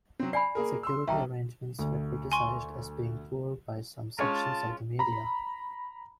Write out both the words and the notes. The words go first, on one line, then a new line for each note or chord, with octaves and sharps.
Security arrangements were criticised as being poor by some sections of the media.
F#3 C4
D5 G#5 B5 C7
A#3 G#4 A#4
C6 E6
B1 E5 G5 A#5
D2
G#5 C6 C#6
G#3 C#4 F4 C#5 A5
A#5 B5